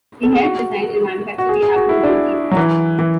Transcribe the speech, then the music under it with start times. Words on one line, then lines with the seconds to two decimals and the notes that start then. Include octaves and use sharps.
He helped design and manufacture the Apple One keyboard.
0.23 A4
0.33 G#4
0.43 F#4
1.38 F#4
1.49 G#4
1.63 G#4
1.76 F#4
1.89 E4
2.03 D4
2.51 F#3
2.57 E3
2.99 E3